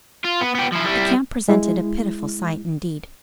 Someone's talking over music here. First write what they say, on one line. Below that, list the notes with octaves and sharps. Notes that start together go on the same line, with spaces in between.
The camp presented a pitiful sight, indeed.
F4
B3
B3 G4
F3 E4
G3 E4
G#3 E4